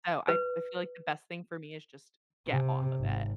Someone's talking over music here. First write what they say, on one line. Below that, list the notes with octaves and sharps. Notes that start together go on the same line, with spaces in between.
So, I I feel like the best thing for me is just get off of it.
B4
C3
G#1